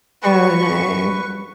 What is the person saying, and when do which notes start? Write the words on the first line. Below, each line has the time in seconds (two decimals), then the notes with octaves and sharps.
Oh, no.
0.23 B4 C#6